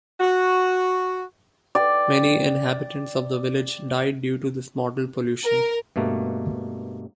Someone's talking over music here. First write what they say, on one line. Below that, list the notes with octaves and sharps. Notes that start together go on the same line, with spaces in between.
Many inhabitants of the village died due to this mortal pollution.
F#4
D5 G5
A#4
G2 B2 A3 A#3